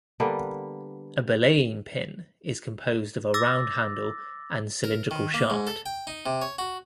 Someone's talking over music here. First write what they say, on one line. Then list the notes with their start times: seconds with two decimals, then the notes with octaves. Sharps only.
A belaying pin is composed of a round handle and cylindrical shaft.
0.20 D3 G3 A#3 B3
3.34 D6 E6 A6 A#6
4.84 A#4
5.11 D#3
5.34 A#3
5.50 G#2
5.67 A4
5.86 G5
6.07 D#4
6.26 C3
6.42 C#5
6.59 F#4